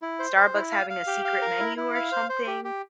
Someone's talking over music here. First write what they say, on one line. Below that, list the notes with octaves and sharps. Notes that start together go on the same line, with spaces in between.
Starbucks having a secret menu or something,
E4
C5
C5
E4
F5
F5
G4
F5
A#4
E4
E4
F5
C5
C5
G4
G4